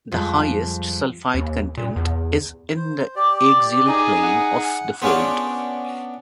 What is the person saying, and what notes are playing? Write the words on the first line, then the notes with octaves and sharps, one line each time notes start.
The highest sulfide content is in the axial plane of the fold.
F2 F3 G3 G#3
D#2
A#2
E2
C5
G4 D5
D#4 G#4
F#5
B3 C#4 D4 F4 G#4 C5